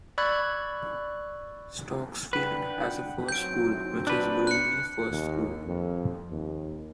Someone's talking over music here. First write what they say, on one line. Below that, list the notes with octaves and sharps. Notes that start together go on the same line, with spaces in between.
Stocksfield has a first school, which is Broomley First School.
D5 B5 C#6 E6 F#6 G#6
D4 B4 F#5 G5
F#3 C4 G6 D7
D4 B4
F#6 C#7
D#2
F2
D#2